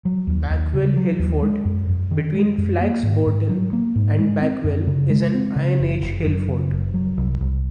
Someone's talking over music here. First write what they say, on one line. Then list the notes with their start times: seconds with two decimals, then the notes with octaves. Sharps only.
Backwell Hillfort between Flax Bourton and Backwell is an iron age hill fort.
0.05 F#3
0.27 D#2
0.50 D#2
0.74 C#3
0.97 F#3
1.19 D#2
1.42 G#3
1.65 F#2
1.89 F#2
2.11 D#3
2.35 G#3
2.58 F#2
2.81 A#3
3.03 G#2
3.26 G#2
3.49 F#3
3.73 A#3
3.96 G#2
4.19 G#3
4.42 C4
4.64 F#2
4.87 C#3
5.10 G#3
5.34 C4
5.56 C#3
5.80 F#1
6.02 F#1
6.26 F#2
6.48 C#3
6.71 F#1
6.94 F#3
7.18 C2
7.41 C2